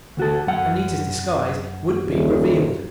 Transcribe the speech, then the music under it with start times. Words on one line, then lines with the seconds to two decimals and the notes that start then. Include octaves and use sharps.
Anita's disguise would be revealed.
0.17 D2 F#4 A4
0.47 F#2 F#5
2.07 D#1